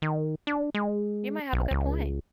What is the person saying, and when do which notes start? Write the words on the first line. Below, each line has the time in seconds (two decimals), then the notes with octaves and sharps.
You might have a good point.
0.02 D#3
0.47 D4
0.75 G#3
1.53 B1
1.71 C#2